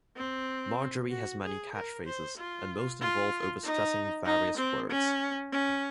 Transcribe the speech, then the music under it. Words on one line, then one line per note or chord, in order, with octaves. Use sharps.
Marjorie has many catchphrases, and most involve over stressing various words.
C4
F#4
G#4
A#4
C5
F4
F4
D#4
D#4
C4
C#4
C#4